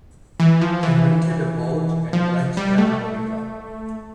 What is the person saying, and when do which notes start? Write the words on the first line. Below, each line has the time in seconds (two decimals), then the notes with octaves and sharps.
They rented a boat and went down the river.
0.40 E3
0.61 F3
0.83 E3
2.13 F3
2.57 G3
2.78 A3